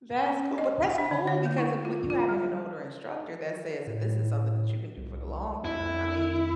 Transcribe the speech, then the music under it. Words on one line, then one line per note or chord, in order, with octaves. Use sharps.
That's cool, but, that's cool because if with you having an older instructor that says that this is something that you can do for the long run I mean,
C#4
D#5
F#5
D4
D3
C#5
A#3
E4
F4
F4
G3
A2
C2
F2 E4